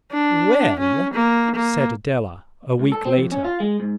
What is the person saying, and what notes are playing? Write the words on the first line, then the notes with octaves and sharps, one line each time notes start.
"Well?" said Adela a week later.
D4
C#4
A#3
A#3
C#2
A4
C4
F2
C#4
F4
G#3
G#2